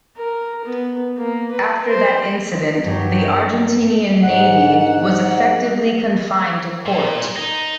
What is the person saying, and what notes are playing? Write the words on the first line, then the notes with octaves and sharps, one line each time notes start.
After that incident, the Argentinian Navy was effectively confined to port.
A#4
B3
A#3
B4
C5
G2 F#3
G#2 F#5
A#2
D#4